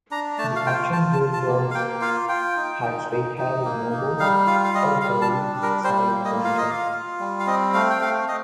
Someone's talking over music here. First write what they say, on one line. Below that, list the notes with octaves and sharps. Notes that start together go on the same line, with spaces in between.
The Action Girl dolls had straight hair with no bows, or a curly, side-ponytail.
D4 A#5
A3 A5
F5
F4 G5
F4 A5
A5
F4
A5
A#3
F5
A#3 G5
F4 F5
F4 G5
D#4
D#4
D#4
D#4
A#3
D#4
G3 F5
F4 F5
F5
G3 D#5
G3 F5
A5
D4
G3
A#4
G3 C5
A#3
D#5
F4
F5
D#5
F4
F5
F4
G3
F5
C4 D#5
A3 F5
G5
A3 F5
D#5